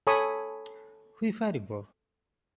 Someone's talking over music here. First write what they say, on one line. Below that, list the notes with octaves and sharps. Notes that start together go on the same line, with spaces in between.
Who You Fighting For?
A4 C#5 G#5 B5 C#6 D#6